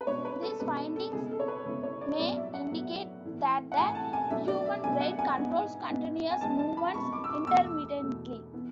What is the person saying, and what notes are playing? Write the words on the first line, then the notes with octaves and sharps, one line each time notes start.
These findings may indicate that the human brain controls continuous movements intermittently.
B4
B2 G#3 D4 C#5
B4
A4
B2 G#3 D4 B4
A4
C#3 G#3 B3 E4 G#4
A4
C#5
B4
C#3 G#3 B3 E4 A4
C#5
D5
A2 F#3 B3 E4 D5
E5
F#5
A2 F#3 B3 E4
A2 E3 A3
F#5
A2 E3 A3 G#5
A5
G#5
B2 F#3 A3 D4 E5
D5
E5
B2 F#3 A3 D4 G#5
F#5
G#5
G#2 G#3 B3 E4
G#2 G#3 B3 E4
G#5
F#2 E3 G#3 B3 A5
A5
B5
F#2 E3 G#3 B3 C#6
D6
E6
D6
E2 B2 A3 E6
E2 B2 A3
E3 B3